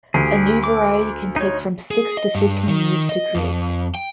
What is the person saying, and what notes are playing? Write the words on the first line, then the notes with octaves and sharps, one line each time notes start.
A new variety can take from six to fifteen years to create.
D2 G4 G#4
D6
D#4 C#5
G#4
D#5
G2
D#3
D#5
F2
G5